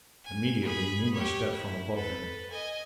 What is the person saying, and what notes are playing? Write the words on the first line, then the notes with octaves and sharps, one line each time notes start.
Immediately Numa stepped from above him.
G#5
G#4 B5
G4 C#5
E4
A4 B4
D#5 G#5